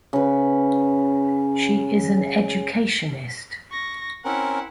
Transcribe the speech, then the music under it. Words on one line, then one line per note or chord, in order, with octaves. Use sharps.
She is an educationist.
C#3 B4
C#6 A#6
C4 C#4 E4 A#4 F#5